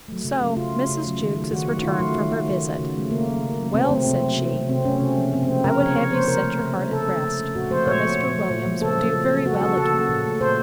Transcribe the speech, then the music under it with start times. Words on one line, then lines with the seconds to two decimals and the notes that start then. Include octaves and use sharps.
So, Mrs. Jewkes is returned from her visit: Well, said she, I would have you set your heart at rest; for Mr. Williams will do very well again.
0.08 F#3 A3
0.24 C#3
0.41 F#3 A3
0.56 C#3 F4
0.72 F#3 A3
0.89 C#3
1.05 F#3 A3
1.20 D#3
1.36 F#3 A3
1.51 D#3 F#4
1.68 F#3 A3
1.78 F#4
1.83 D#3 F4
1.99 F#3 A3
2.15 D#3
2.32 F#3 A3
2.48 C#3
2.63 F#3 A3
2.79 C#3
2.94 F#3 A3
3.11 C#3 A#3
3.27 F#3 A3
3.43 C#3
3.58 F#3 A3
3.74 C3 C4
3.90 F#3 A3 C4
4.06 C3 C4
4.22 F#3 A3
4.38 C3
4.53 F#3 A3
4.69 C3 C4
4.85 F#3 A3 C#4
5.01 C#3
5.17 F3 A#3
5.33 C#3 C4
5.43 C4
5.48 F3 A#3
5.64 C#3 A#4
5.80 F3 A#3 C#5
5.96 C#3 C#5
6.12 F3 A#3 C5
6.28 C#3 A#4
6.43 A3
6.60 C#3
6.75 A3
6.91 C#3 A4
7.08 A3
7.23 C#3
7.40 A3
7.55 A#2 F#4
7.71 F3 A3 C5
7.86 A#2 C#5
8.03 F3 A3
8.18 A#2
8.35 F3 A3
8.51 A#2
8.66 F3 A3
8.81 C#3 A4
8.98 F#3 A#3
9.13 C#3
9.30 F#3 A#3
9.46 C#3 F#4
9.54 A4
9.62 F#3 A#3 F#4
9.77 C#3 A4
9.94 F#3 A#3
10.09 A#2
10.25 A3
10.40 A#2 C5